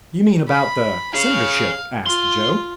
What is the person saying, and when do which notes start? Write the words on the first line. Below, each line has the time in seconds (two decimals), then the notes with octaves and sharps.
"You mean about the senatorship?" asked Joe.
0.48 B5
1.14 G#4 C#5 F5
2.06 F4 C6